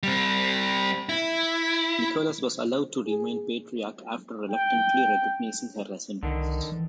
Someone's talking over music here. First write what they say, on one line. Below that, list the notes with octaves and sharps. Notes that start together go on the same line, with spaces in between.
Nicholas was allowed to remain patriarch after reluctantly recognizing her as empress.
G3 C4
E4
G#4
G5
C2 D3 D#3
E3